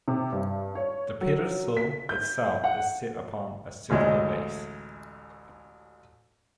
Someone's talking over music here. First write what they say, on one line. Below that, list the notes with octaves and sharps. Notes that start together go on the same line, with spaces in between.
The pedestal itself is set upon a circular base.
C3
G2
C#5
F#3
B6
G6
F#5
A1 D2 G#3